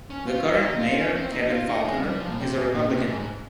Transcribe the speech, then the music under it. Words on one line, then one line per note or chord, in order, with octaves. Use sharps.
The current mayor, Kevin Faulconer, is a Republican.
C#4
F4
D#4
F4
D#4
F4
C#4
C4
D#4
F4
D#4
G#3
G3
F3
A#2
C3
G#2
A#2
C3
G#2
G#2